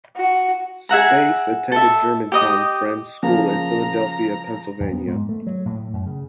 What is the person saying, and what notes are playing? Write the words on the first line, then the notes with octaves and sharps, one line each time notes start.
Spaeth attended Germantown Friends School in Philadelphia, Pennsylvania.
F#4
G#4 E5 F#5 A#5
A4 E5
G4 D#5 D#6
C#3 F3 A#3 A#5
F2
B3
G#2
A3
F#3
A2
F#2
C#3